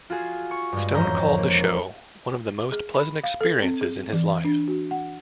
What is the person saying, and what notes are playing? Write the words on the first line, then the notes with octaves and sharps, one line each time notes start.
Stone called the show one of the most pleasant experiences in his life.
F4 F#4 G#4
C#6
G2 G#3
E1 F2 G#2 C#4 A#5 G6
A#3
G#4
B5
F5
A4
C4
G#4
E3
D4
F#4
F#5